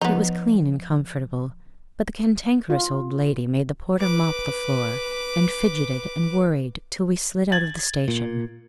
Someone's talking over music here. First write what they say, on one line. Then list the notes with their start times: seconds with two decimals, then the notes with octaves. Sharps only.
It was clean and comfortable; but the Cantankerous Old Lady made the porter mop the floor, and fidgeted and worried till we slid out of the station.
0.01 F3 B3 D#4
2.70 F4
3.99 B4 D6
7.52 G#6 A6 F#7
8.08 A#2